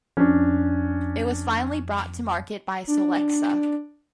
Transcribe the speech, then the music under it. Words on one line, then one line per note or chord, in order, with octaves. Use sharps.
It was finally brought to market by Solexa.
F2 C#4 D4
D4